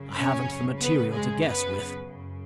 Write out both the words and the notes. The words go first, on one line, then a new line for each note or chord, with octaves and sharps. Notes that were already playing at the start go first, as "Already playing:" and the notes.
I haven't the material to guess with.
Already playing: F#2 C#3
C#4 C#5
B3 B4
G#3 G#4
B3 B4
F#2 C#3